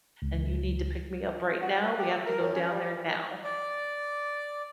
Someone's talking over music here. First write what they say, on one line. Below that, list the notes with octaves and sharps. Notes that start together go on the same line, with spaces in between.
and you need to pick me up right now, we have to go down there now."
C#2
F#4
B4
G4
A3
A#4
F#2
C#4
G3
E3
D#4
D5